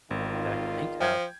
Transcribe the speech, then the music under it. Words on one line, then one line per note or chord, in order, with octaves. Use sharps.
that I can think of.
G#1 E2 D#3 F4
F3 G5 G#6